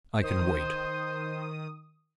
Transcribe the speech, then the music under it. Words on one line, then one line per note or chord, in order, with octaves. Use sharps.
I can wait.
D#3 C5 D#6